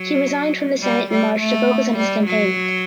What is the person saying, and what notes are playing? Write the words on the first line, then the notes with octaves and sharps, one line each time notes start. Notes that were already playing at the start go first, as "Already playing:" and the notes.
He resigned from the senate in March to focus on his campaign.
Already playing: F#3
G3
G3
A3
G3
F#3